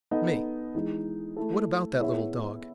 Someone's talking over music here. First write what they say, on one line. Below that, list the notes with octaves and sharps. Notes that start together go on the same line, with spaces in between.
ME: What about that little dog?
B3 D#4 A4 D#5
E3 G#3 D#4 G#4
A3 E4 A4
B3 E4 G#4 C#5 E5